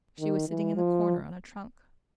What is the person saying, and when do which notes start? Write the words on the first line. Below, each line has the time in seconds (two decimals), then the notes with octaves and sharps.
She was sitting in the corner, on a trunk.
0.20 D#3
0.48 E3
0.76 F3